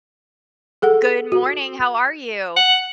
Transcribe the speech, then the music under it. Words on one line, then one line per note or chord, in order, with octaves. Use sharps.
Good morning. How are you?
G#4 A4 F#5
F#4
F#5